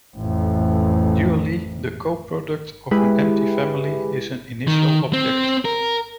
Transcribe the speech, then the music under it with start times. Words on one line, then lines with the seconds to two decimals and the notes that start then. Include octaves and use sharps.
Dually, the coproduct of an empty family is an initial object.
0.17 A1 F2
2.91 G#3 E4 G4 G#4 B4
4.68 D#3
5.13 C4
5.65 A#4